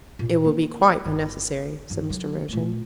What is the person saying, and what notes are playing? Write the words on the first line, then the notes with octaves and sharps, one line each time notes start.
"It will be quite unnecessary," said Mr. Merton.
A#2
A#3 C4
G1
G2 E3
D3 F#3
A#2 A3